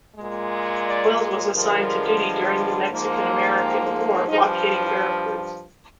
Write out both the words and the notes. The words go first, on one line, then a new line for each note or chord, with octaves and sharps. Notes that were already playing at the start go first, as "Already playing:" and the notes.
Wells was assigned to duty during the Mexican-American War blockading Vera Cruz.
A#2 G#3
D5
G2 D3 F3 G#3 A#4
G#2 F3 A#3
G4
G2 F3 D#4